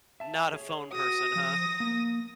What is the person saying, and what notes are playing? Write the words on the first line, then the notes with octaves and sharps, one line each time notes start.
Not a phone person, huh?
E5 A5
G#4 C#5
F#4 D#6 A#6
F3
A#3